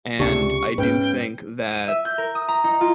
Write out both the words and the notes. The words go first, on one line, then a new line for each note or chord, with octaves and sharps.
and I do think that,
C#2 C3 D4 G4 C#6
G#2 B3 C#4 B4 G5
D#7
E5
G6
A#4
D#6
A#5
D#4
F4